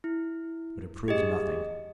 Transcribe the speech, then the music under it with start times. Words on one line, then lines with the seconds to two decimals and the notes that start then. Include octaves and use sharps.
But it proves nothing.
0.04 E4
1.08 G4 G#4 D#5